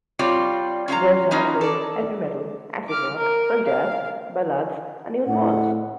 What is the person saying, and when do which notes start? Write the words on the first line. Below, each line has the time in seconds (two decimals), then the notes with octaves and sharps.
There's hardcore, heavy metal, acid rock, some jazz, ballads and even a waltz.
0.19 G3 C4 F4 C#5 D5
0.88 C#4 F4 F5 A#5
1.31 E3 A#3 C#4 D#4 F4 F#4
1.61 A4 D5
2.88 D6 F6
3.17 A#4
3.65 F5
5.27 A2 F#5